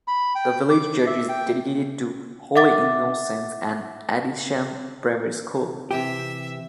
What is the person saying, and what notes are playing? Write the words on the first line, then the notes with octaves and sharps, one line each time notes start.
The village church is dedicated to "Holy Innocents" and Adisham primary school.
B5
G5
D6
E5
G5
E5 F#5 D6 A6
C3 E3 G4 E5